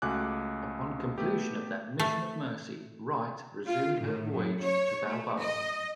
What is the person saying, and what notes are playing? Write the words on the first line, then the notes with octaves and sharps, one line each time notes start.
Upon completion of that mission of mercy, "Wright" resumed her voyage to Balboa.
C#2 A3 F#4 G#5 D6 F#6
A3 B3 G4
A3
F4
A2
F#2
C#5
A3
D#5